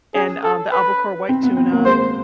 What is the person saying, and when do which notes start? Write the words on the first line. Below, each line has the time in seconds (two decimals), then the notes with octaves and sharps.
and, um, the Albacore white tuna,
0.15 C#4 G#4
0.43 A4
0.72 B4
1.29 C4
1.43 B3
1.57 C4
1.72 A#3
1.85 G#3 C5